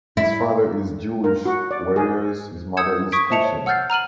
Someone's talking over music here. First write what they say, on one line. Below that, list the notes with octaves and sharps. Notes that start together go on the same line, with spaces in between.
His father is Jewish, whereas his mother is Christian.
E4
A#4
F#4
D5
G#4
D#6 E6 G6 G#6 C#7 E7
C#6 D#6 G#6 B6 D7
C5 D#5 E5 A5 C#7 F7
C#5
F#5 E6 F6 G6 A6 C7
A#5 F6 D#7 F#7